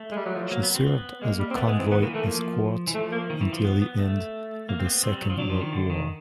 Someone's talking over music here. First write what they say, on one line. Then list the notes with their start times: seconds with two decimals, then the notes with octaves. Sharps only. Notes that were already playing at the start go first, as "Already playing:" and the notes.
She served as a convoy escort until the end of the Second World War.
Already playing: A3
0.11 G#3
0.17 G3
0.26 F#3
0.35 F3
0.43 F#3
0.52 A#3
0.63 B3
0.75 C4
0.87 B3
1.22 G#3 A#3
1.39 G3
1.51 C4
1.56 A3 B3
1.67 G#3 B3
1.79 E3 C4
1.91 D#3 B3
2.02 E3 A#3
2.14 E3 A3
2.25 F3 A#3
2.87 E3
2.94 F3 A3
3.12 A#3
3.30 D#3
3.41 E3
3.53 F3
3.65 B3
3.82 B3
3.99 A3
4.69 A#3
4.79 C4
4.86 B3
5.03 C4
5.12 G3
5.21 F#3
5.30 F3
5.38 F#3 D4
5.50 F3
5.61 D#3
5.73 D3
5.90 D#3